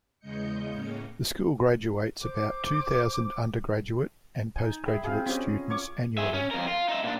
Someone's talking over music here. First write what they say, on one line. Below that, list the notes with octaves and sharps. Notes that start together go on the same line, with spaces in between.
The school graduates about two thousand undergraduate and postgraduate students annually.
E2 C#3 G#3 D#5 G6 C#7
A2 C#3 A#3 C#4
C5 D6
D#4 G#5
G#4 E5 G5 B5
C4 F#4 G#4 F5
C4 C#4 F4 G4 D#5
C#5 C#6 D6
G#4 E5
C#4
F2 A#4
F4
D#4 E5
A#2 D4